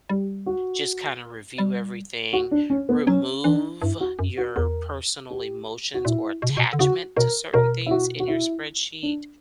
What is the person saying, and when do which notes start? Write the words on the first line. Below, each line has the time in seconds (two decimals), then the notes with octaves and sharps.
just kinda review everything, remove your personal emotions or attachment to certain things in your spreadsheet,
0.09 G3 G4
0.46 F#4
1.58 G3
2.33 F#4
2.51 D4
2.70 C#4
2.89 B3
3.07 F#3 C#4
3.44 E3 D4
3.81 G2 E4
4.00 F#4
4.19 F#2
4.37 F#4
4.56 E2 A#4
5.31 G4
5.94 F#4
6.05 A#2 E4
6.42 B2
6.50 C#3
6.57 B2
6.73 D3
6.79 C#3 F#4
7.17 B2 A#4
7.54 B2 A#4
7.86 E4
7.91 F#4
8.20 F#4
8.28 E4
9.03 D4